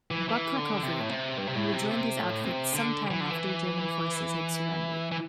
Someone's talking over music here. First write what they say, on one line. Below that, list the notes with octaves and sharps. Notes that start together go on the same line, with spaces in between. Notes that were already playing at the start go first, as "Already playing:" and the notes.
Buck recovered, and rejoined his outfit sometime after German forces had surrendered.
E3
E3
D3
C3
A2
C3
G2
C3
A2
C3
C3
A2
C3
D3
E3
D3
E3
E3